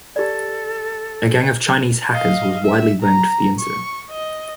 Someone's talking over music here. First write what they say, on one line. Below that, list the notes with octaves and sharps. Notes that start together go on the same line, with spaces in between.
A gang of Chinese hackers was widely blamed for the incident.
G4 A4 D5
D#5 F5
E5
A#5
C#6
D#5